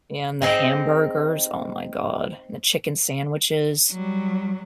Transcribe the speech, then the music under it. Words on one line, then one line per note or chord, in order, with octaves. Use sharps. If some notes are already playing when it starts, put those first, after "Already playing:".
And the hamburgers, oh my god, and the chicken sandwiches,
C4 D#4 G#4
F#3 G3